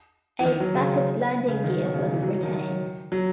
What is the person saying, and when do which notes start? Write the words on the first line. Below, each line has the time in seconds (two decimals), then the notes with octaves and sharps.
A spatted landing gear was retained.
0.40 E3
0.45 D#3
0.60 F#3
0.74 C#3
1.48 C#3
1.64 D#3
1.85 B2
1.94 C#3
2.03 D#3
2.14 E3
2.22 F#3
2.33 F#3
2.43 D#3
3.12 F#3